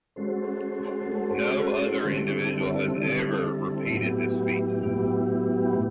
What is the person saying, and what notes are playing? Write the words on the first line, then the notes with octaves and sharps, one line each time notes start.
No other individual has ever repeated this feat.
G#3 C#4 F#4 A4 C5
G#3 C#4 F#4 A4 C5
D3 G3 C4 E4 A4
D3 G3 C4 E4 A4
A2 F#3 B3 E4 G4
A2 F#3 B3 E4 G4